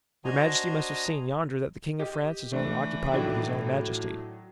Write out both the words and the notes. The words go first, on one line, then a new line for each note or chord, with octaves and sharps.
"Your majesty must have seen yonder that the king of France is only occupied with his own majesty."
D4 F#4 C5 D#5 G#5 A#5
G4 D#5
E3 A3 D4
A2 D#3 F#3 D4